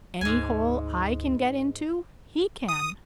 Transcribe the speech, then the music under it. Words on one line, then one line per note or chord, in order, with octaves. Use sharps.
Any hole I can get into he can.
D2 G#2 G#5
D#6